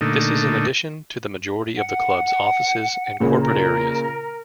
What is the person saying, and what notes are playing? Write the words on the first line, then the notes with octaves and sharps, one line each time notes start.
This is in addition to the majority of the club's offices and corporate areas.
A#2 D3 A3 D#4
F#5
A#2 C#3 A#3
A#4